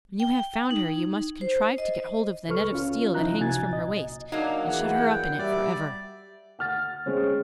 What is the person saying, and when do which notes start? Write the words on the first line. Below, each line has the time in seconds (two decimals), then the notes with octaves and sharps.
When you have found her you must contrive to get hold of the net of steel that hangs from her waist, and shut her up in it for ever.'
0.20 G5
0.71 D#4
1.41 C5
1.78 D#5
2.49 C#2 A4 B4 C#6 F6
2.72 C#4 F4
3.14 C2 F3 D#4 E4 A#5 F#6
3.40 C3 F#4 G#5 G#6 A6
3.68 C2 A#2 D#5
4.32 F#3 A#3 D4 D#4
4.65 E2 F#5
4.94 G5
5.39 G3 D5 E5
6.59 F#5 F6 A6
7.06 G#3 C4 C#4